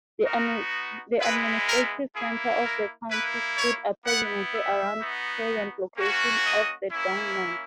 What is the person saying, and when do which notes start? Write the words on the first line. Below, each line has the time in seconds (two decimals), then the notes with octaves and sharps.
The administrative centre of the county stood approximately around present location of the Dongmen.
0.24 B3 D#4 F#4 A#4
1.19 G#3 B3 E4 B4
1.67 A#4
2.14 A#3 E4 G#4
2.63 A#4
3.10 A#3 E4 B4
3.57 C#5
4.05 B3 E4 F#5
4.53 E5
5.01 B3 D#4 F#4
5.97 A#3 C#4 F#4
6.43 D#5
6.92 A#3 C#4 E4